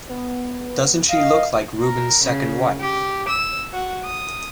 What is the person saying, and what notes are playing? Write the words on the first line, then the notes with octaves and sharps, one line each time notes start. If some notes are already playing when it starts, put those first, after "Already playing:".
Doesn't she look like Rubens' second wife?
B3
D#5 F5
A#4
C#3
G4
E6
F#4
D#6